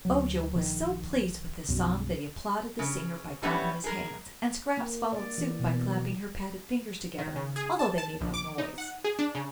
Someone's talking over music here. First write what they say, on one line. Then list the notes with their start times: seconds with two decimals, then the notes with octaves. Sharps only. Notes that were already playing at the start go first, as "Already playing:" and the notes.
Ojo was so pleased with this song that he applauded the singer by clapping his hands, and Scraps followed suit by clapping her padded fingers together, although they made no noise.
0.05 D2 F#3
0.56 A#1 D#3
1.68 B1 F#2
2.79 C#3
3.42 E3 G3 A3 B3 C#4
3.84 G#4 A#4
4.77 A#3
5.13 D5
5.38 E3
5.60 B2
7.18 D#3
7.36 C#3
7.56 G#4
7.79 A5
7.98 A5
8.21 A#1
8.34 D6
8.58 D#4
8.78 F#5
9.04 G#4
9.19 D4
9.35 C#3